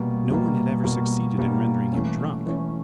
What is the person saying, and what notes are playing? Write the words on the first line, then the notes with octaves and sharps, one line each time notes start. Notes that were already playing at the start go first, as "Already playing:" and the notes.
No one had ever succeeded in rendering him drunk.
Already playing: B2 G3 A#3
B2 G3 A#3
B2 G3 A#3
B2 G3 A#3
E3 A3 C#4
E3 A3 C#4